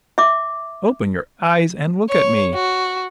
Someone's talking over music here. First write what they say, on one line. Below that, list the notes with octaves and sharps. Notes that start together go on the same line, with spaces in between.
Open your eyes and look at me!
E5 D6
C#5
F#4